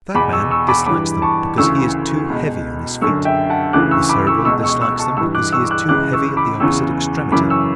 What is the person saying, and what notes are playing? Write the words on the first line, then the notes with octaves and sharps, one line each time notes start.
The fat man dislikes them because he is too "heavy on his feet." The Cerebral dislikes them because he is too heavy at the opposite extremity.
E2 B2 B5 D6
C#6 E6
C#6 E6
B5 D6
G2 E3 B5 D6
A5 C#6
D2 C#3 E3 C#6 E6
C#2 B2
F#2 D3 C#6 E6
E5 G5
F#5 A5
D2 C#3 E3 D6 F#6
C#6 E6
B5 D6
C#6 E6
C#2 B2 C#6 E6
C#6 E6
C#6 E6
A5 C#6
G2 E3 C#6 E6
D6 F#6
C#6 E6
D6 F#6
C#2 C#3 E3 D6 F#6
C#6 E6
B5 D6
E2 C#3 E3 C#6 E6
F#2 C#3 E3 B5 D6
C#6 E6